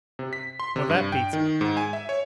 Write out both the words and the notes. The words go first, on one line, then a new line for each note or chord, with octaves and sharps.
Well, that beats me.
C3
B6
C6
C3
G2
G5
D#3
G#2
G#5
E5
C#5